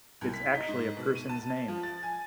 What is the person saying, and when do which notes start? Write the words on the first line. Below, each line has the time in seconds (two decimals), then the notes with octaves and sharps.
It's actually a person's name.
0.21 C2
0.34 B6
0.55 D#4
0.68 G#2
0.97 B2
1.15 D#7
1.29 A5
1.68 F3
1.83 A6
2.03 G#5